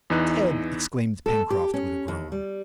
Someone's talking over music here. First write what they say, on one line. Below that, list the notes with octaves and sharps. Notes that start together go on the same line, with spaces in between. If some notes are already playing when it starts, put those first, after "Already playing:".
"Dead!" exclaimed Pencroft, with a groan.
E2 E3 D#4 F#6
A4
G4
C#4
D#2
G3